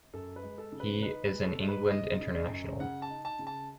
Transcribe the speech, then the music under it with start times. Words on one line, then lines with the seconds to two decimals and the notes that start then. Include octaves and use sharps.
He is an England international.
0.13 F#2 A4
0.36 B4
0.43 G#3
0.58 A4
0.72 C#3
0.80 B4
1.02 D#4 B4
1.25 B4
1.32 G#3
1.47 A4
1.62 G#3
1.68 B4
1.91 C#3 D#5
2.21 C#3
2.50 F#2
2.80 C#3 F#5
3.02 A5
3.09 D#4
3.25 A5
3.39 C#3
3.47 A5